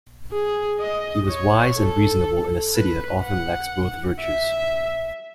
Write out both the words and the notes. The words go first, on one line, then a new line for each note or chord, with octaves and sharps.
He was wise and reasonable in a city that often lacks both virtues.
G#4
D#5
C#5
A4
B4
F#5
E5